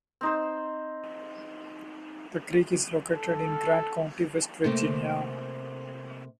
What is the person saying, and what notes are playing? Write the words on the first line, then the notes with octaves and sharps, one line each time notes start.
The creek is located in Grant County, West Virginia.
C4 D#4 C5
A4
C3 A3 A#3 C4